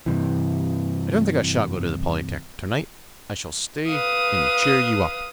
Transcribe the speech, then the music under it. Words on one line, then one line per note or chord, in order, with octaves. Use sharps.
I don't think I shall go to the Polytec. to-night; I shall stay and cheer you up.
G2 C3 E3
B4 F5 D#6